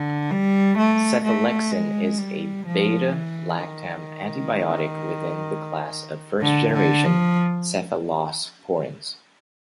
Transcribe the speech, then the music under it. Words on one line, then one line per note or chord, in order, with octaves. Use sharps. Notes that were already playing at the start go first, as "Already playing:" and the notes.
Cefalexin is a beta-lactam antibiotic within the class of first-generation cephalosporins.
Already playing: D3
G3
A3
A3
G#3
G3
F3
E3
D#3
D3
D3
F3